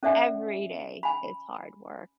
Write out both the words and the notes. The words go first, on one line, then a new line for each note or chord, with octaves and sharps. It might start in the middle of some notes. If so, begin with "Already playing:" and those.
every day, it's hard work.
C#4 A4 D5 E5 F#5 G#5
G#5 B5